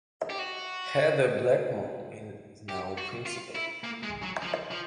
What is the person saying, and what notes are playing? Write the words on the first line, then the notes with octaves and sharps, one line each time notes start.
Heather Blackmon is now principal.
G4
F#4
G4
F#4
F4
E4
A#3
G#3
F#3
F3
F3